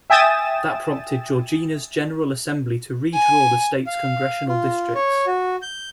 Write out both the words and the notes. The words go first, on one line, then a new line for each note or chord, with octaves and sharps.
That prompted Georgia's General Assembly to re-draw the state's congressional districts.
E5 G5 G#5 D#6 A6 E7
G#5
F5
F4
C#5
F#4
G6